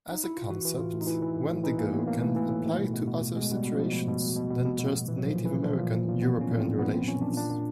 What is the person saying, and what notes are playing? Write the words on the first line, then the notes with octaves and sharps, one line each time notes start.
As a concept, wendigo can apply to other situations than just Native American-European relations.
D#4
E4
F4
E3 F#4
E3
A2 F4
A2
D#4
E3 E4
E3
A2
A2
E3 D#4
E3 A#3
A2 B3
A2 A#3
E3 A3
E3
A2
A2
B2
B2
B2
B2
B2 G#3
B2
G3
B2
B2 F3
B2
B2
B2
B2
B2
B2
B2
B2
A#2 E3
F#3
A#2
F3
A#2
E3
A#2
A#2 F3
A#2
A#2
A#2
A#2 B3
A#2
C#4
A#2
C4
A#2
A#2 B3
A#2 C4
A#2 C#4
A#2 D4
A#2 D4
A#2